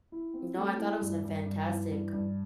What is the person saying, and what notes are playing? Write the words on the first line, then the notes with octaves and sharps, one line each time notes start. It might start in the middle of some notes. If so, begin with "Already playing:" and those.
No, I thought it was a fantastic,
E4
C4
A3
E4
G2
G2
G2
E3
G2
G2